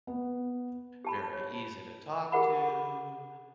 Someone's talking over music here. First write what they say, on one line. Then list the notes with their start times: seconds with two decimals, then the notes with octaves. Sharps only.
very easy to talk to,
0.07 B3
1.05 G4 A5 B5
1.33 C#5
2.32 G4 G#4 A#4 F#5 B5